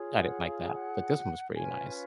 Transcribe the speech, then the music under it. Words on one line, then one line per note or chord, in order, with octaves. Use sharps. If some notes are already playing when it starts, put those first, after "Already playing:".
I didn't like that. But this one was pretty nice.
Already playing: F4 G#4 C#5
F#5
F5
F#5
C#4 F4 B4 G#5